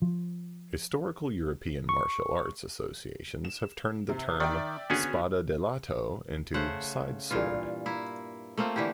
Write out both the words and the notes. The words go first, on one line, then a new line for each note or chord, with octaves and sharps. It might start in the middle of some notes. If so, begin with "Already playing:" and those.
Historical European Martial Arts associations have turned the term "spada da lato" into "side-sword".
F3
C#6
E7
C3
D#3 D5 E5 G5
D3 B3 C#4 F#4 G#4 G#5
C#3 A3 C5 F#5
G2 A#2 E3 F4
A#3 E4
A3 A#3 C4 F4
D3 E3 E4 G4